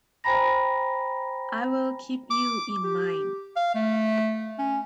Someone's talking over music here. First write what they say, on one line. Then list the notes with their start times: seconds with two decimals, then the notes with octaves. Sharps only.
I'll keep you in mind.
0.24 C5 G5 G#5 A#5 B5 A#6
2.31 D6
2.84 G4
3.56 F5
3.75 A3
4.59 C#4